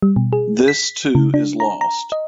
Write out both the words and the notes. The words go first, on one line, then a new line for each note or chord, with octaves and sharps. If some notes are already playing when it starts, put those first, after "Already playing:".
This too is lost.
G3
B2
G#4
B6
C#3
D4
A#5
A#5
D#5